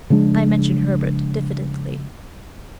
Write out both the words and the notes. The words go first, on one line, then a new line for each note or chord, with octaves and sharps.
I mentioned Herbert diffidently.
C#3 F3 G#3 D4